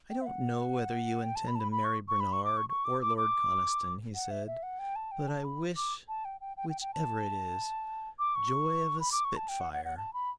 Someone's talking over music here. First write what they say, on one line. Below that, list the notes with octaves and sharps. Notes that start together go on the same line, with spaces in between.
"I don't know whether you intend to marry Bernard or Lord Conniston," he said, "but I wish, which ever it is, joy of a spitfire."
G5
E5
F#5
G5
A5
B5
A5
B5
B5
C#6
C#6
B5
C#6
D6
C#6
C#6
D6
D6
D6
F#5
E5
E5
F#5
G5
A5
G5
A5
B5
D6
A5
G5
G5
G5
G5
G5
A5
D6
C#6
B5
D6
C#6
A5
G5
F#5
F#5
F#5
A5
B5